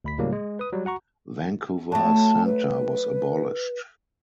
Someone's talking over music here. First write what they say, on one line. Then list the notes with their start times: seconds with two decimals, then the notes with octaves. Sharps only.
Vancouver Centre was abolished.
0.04 D2 B5 B6
0.18 A2 C#3 F#3 G3 A#3
0.32 G#3
0.59 B4 D#6
0.73 F#3 G3
0.85 F#4 F#5 A#5 C#6
1.92 F#3 A3 A5
2.45 B4